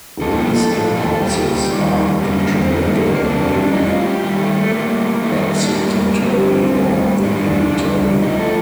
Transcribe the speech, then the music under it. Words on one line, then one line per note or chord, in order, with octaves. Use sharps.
These impulses are incremental and may be excitatory or inhibitory.
G2 D3 F3 A4
G4
A4
A#2 F3 A4
A4
A#2 G3 G4
F2 D#3 G3
G2 D3 G3 A#3
A#3
C4
F2 D3 G3 A#3
A3
A#3
F2 C3 G3 D4
A2 G3 D#4
F4
G4
G2 D#3 G3 G4
A3
A3
A2 G3 A#3
G2 D#3 G3 A3
A3
A#3
D4
A2 G3 A#3
G2 D3 F3 C4
A2 G3
G2 D#3 G3 D4
F2 D3 G3
A2 F3 D#4
A4